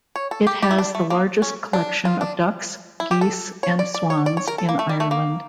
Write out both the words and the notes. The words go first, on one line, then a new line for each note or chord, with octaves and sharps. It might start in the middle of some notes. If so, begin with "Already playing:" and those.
It has the largest collection of ducks, geese and swans in Ireland.
C#5
A4
G4
G4
E4
D4
A3
A#3
C#4
D4
F4
D4
E4
G4
A4
C#5
D5
D5
C#5
D5
C#5
A#4
A4
A#3
A3
G3
A3
A#3